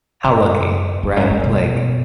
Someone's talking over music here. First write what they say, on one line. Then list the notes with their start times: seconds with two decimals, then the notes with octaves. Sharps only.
how lucky, right? Like,
0.24 F#2
1.03 E2
1.16 F#2
1.30 F#2
1.44 B2